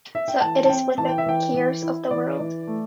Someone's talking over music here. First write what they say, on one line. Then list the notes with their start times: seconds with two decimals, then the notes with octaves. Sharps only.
So it is with the cares of the world.
0.15 E5
0.28 G5
0.41 E3 A5
0.65 A5
0.69 C4 G5
0.98 E3 A5
1.09 G5
1.18 E5
1.26 E3 G5
1.54 E3
1.82 E4
2.11 E3 D5
2.40 E3
2.67 A3